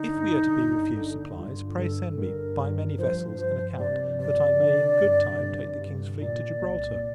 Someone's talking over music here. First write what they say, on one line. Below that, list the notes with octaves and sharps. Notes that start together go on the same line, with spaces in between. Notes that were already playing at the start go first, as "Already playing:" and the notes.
If we are to be refused supplies, pray send me, by many vessels, an account, that I may in good time take the King's fleet to Gibraltar.
Already playing: D3 D#4
G1
G1
D3
G2 F4
G2 A4
G2 A#4
G2
F3 C5
F3 C5
C3 D5
C3 D5
D3
G2
G2
G2
A#2 D5
C2